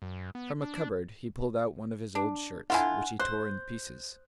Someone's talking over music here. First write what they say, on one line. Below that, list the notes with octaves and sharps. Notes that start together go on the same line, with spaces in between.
From a cupboard he pulled out one of his old shirts, which he tore in pieces.
F#2
B3
D4
D4
D3 E4 F4 F#5 G#5
C5 F#6